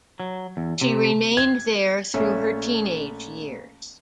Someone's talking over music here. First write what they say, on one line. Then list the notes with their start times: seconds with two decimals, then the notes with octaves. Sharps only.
She remained there through her teenage years.
0.20 F#3
0.57 E2
0.81 C3
1.37 G#6
2.14 A#1 A3 C#4 C#5 E5